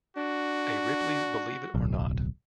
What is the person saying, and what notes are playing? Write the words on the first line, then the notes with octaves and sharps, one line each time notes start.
A Ripley's Believe It or Not!
D4 F#4
D1 B1